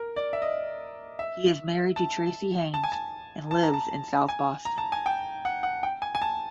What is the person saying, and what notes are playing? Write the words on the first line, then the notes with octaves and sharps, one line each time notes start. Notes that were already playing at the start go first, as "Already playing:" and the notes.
He is married to Tracee Hynes and lives in South Boston.
Already playing: A#4
D5
E5
D#5
E5
A5
A5
G#5
A5
A5
A#5
A5
G#5
A#5
A5
G#5
G5
F#5
F#5
G5
G#5
G#5
A5